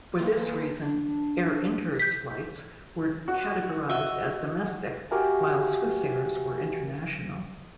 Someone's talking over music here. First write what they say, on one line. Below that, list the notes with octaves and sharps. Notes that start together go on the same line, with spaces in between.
For this reason, Air Inter's flights were categorised as domestic while Swissair's were international.
D#2 A#3 B4 C5 D#5 C6
D4
G6 B6
F#4
F#4 D#5 E5
F#4 G4 A#4 E5 G#5